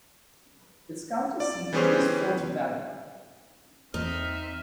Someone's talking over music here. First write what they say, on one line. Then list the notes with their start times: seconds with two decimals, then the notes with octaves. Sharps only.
Its county seat is Fort Valley.
1.40 D5
1.73 E3 G3 B3 C#4 G#4 C5
3.94 E2 C4 D#4 E5 F6